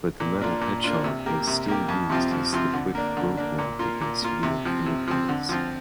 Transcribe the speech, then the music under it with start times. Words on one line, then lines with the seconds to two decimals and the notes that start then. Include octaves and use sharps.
But the metal hedgehog was still used as the quick road-block against wheeled vehicles.
0.20 A#2
0.41 A#3 D4 F4
0.61 A#2
0.84 A#3 D4 F4
1.04 C3
1.26 A#3 G4
1.47 C3
1.68 A#3 G4
1.89 F2
2.10 C3 F3 C4 F4
2.31 F2
2.53 C3 F3 C4 F4
2.74 D3
2.95 A#3 D4
3.17 D3
3.37 A#3 D4
3.58 A#2
3.79 A#3 F4
4.01 A#2
4.22 A#3 F4
4.43 C3
4.65 F3 C4
4.86 C3
5.08 F3 C4
5.29 D3
5.49 F3 C4 F4